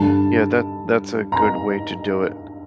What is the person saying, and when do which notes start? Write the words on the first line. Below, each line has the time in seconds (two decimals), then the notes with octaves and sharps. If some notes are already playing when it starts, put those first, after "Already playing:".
Yeah, that that's a good way to do it.
Already playing: G2 D3 G3 A5
1.32 A#5